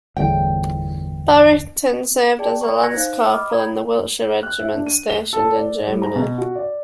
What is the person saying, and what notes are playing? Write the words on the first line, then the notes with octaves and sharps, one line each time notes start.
Barrington served as a Lance-Corporal in the Wiltshire Regiment stationed in Germany.
G1 E2 A2 G5
G#4 D5 G5 A5
B4 D5 A#5 C#6
F#6 G#6 A#6 C#7
D#4 C5 F5 F#6
D#5 B5 D6 D#6 F6
A#5 B5 D#6 G#6
F#6
E5
D4
D#7
G7
A4
D5
G3
A#5
B2
F#4
D5